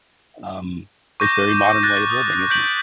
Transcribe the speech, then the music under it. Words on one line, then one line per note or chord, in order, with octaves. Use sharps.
Um, it's very modern way of living, isn't it?
C#6 D6 G6 A#6
F#6 A6 A#6
D#6
G6 B6 D7 F#7